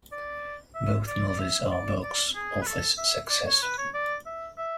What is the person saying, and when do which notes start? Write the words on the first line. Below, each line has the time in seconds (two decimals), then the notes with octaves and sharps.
Both movies are box-office success.
0.12 D5
0.75 E5
1.07 D5
1.28 D5
1.39 E5
1.71 D5
2.03 D5
2.35 G#4
2.62 B4
2.67 A4
2.98 E5
3.30 D5
3.46 C#5
3.62 B4
3.78 C#5
3.94 D5
4.26 E5
4.58 E5